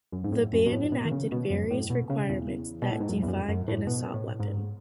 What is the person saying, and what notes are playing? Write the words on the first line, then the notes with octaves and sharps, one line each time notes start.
The ban enacted various requirements that defined an assault weapon.
F#2
G#2
A2
F#2
B2
A2
B2
D#3
C#3
B2
F#2
A2
B2
C#3
E2
B2
A2
G#2
F#2
E2
F#2
F#2
A2
B2
A2
G#2